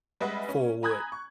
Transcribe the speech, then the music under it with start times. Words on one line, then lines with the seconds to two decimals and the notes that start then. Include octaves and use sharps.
for what
0.20 G3 G#3 B4 D#5 E5 F#5
0.49 C#4
0.83 G#5 A#5 B5 D#6 F#6 G#6
1.12 C#6